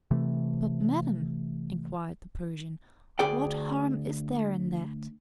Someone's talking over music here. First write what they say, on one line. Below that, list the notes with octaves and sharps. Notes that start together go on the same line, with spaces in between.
"But, madam," inquired the Persian, "what harm is there in that?"
C3 E3 A3
D2 G#4 D5 G5